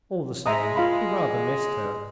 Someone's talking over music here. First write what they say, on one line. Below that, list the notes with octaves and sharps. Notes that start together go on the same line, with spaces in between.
All the same, he rather missed her.
G#3 E5 A#5 D#6
F4 F5 B5